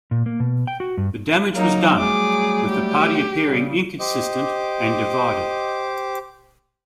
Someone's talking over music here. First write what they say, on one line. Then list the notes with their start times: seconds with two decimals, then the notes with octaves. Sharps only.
The damage was done, with the party appearing inconsistent and divided.
0.11 A#2
0.26 A#3
0.40 B2
0.67 G5
0.80 F#4
0.97 G2
1.55 F#3 A#3 D#4
1.97 F#3 G3 A3 G#4 D6
2.69 G4
3.44 C#3 G3
4.00 G4 C5 D#5 D6